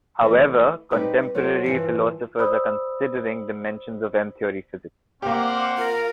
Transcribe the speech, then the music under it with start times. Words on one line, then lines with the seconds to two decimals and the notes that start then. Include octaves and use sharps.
However, contemporary philosophers are considering dimensions of M-theory physics.
0.22 E3 A3
0.91 G3 C4 D#4 G4 B4
1.35 F#3 F4 A4 C5 C#5
1.64 G2 E3 F3
2.39 C5 D5 B5 D#6 E6
5.22 A#3 C4 G4 C5 D5 F5 F#5
5.78 F4 A#4